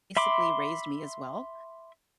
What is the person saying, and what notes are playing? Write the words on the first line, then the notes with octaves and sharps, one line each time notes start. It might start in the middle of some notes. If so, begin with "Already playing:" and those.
basically raised me as well,
E5 B5 C6 D6